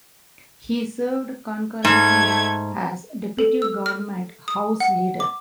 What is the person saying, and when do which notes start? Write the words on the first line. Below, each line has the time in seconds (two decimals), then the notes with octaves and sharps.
He served concurrently as deputy government House Leader.
1.85 G#2 A3 G#6
3.39 A4
3.62 E6
3.86 F6
4.48 D#6
4.80 F#5
5.20 D6